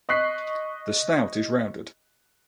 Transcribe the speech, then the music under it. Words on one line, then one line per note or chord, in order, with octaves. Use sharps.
The snout is rounded.
D#5 C#6 F#6 B6 C7